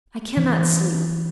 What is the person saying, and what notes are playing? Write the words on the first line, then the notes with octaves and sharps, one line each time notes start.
I can not sleep.
E3